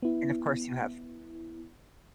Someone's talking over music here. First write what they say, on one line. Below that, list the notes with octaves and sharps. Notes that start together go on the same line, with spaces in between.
and, of course, you have
B3 E4